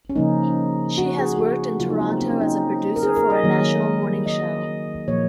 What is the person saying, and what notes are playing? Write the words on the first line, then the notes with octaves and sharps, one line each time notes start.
She has worked in Toronto as a producer for a national morning show.
C#4
C#3 F3 A#3 D#4
F#4
G#4
F#4
C#3 F#3 A#3 F4
D#4
C4
A#3
C4
C#4
D#4
A#4
G#4
A#4
D#5
D#3 F#3 A#3
D#5
A#2 F3 A#3 C#5